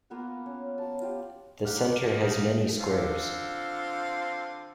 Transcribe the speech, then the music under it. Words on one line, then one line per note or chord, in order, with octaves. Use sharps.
The center has many squares.
A#3 B3 F4 B4
C#4
F#3 A5
F4 G4
G4 F5 F#5 A#5
A#2 E3 F3 A#3 B3 D#4
D3 C4 F4